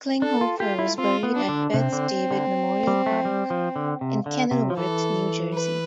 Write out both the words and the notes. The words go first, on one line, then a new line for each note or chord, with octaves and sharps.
Klinghoffer was buried at Beth David Memorial Park in Kenilworth, New Jersey.
D4 A4
F4
F4 G4
E4
C4 F4
B3
D4
D3
C3 C4
D3
D3
G3
A3
G3
F3
D3
C3
D3
C3
F3
E3 A4
B4